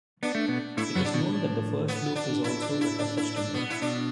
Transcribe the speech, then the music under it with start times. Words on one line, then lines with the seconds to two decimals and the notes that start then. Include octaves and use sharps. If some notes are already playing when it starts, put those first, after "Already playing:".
It is known that the first loop is also the toughest to make.
0.23 B3 D4
0.35 A3
0.48 B2 B3
0.77 A2 A3 E4
0.95 F#2 F#3 B3
1.05 D4
1.14 B2
1.33 A2
1.88 B3
2.16 D4
2.44 E4
2.62 D4
2.81 E4
2.99 D4
3.17 E4
3.36 D4
3.54 B2 B3
3.70 E4
3.81 B2 D4